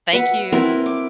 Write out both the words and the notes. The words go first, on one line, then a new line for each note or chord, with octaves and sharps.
Thank you.
B4 E5 F#5 B5
C4 E4 A#4 B4
D6